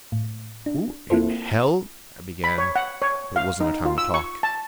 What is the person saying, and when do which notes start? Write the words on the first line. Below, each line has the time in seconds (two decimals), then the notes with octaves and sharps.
"Who in Hell ..." I began; but it wasn't a time to talk.
0.12 A2
0.66 D4
1.10 A#3 C4 E4 F4 A4 C5
2.44 B5
2.58 C#5
2.76 F#5
3.02 C#5
3.36 F5
3.61 D#4
3.85 F4
3.98 E6
4.14 C#6
4.43 A5